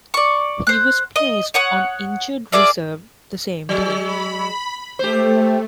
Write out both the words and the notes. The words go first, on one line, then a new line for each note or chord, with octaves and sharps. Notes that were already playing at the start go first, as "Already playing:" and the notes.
He was placed on injured reserve the same day.
D5 C#6
C5 F#6
D#5
C#5 F#5 D#6
G#4 A#4 D5 E5
F#3 G#3
B5
A3 G4 C5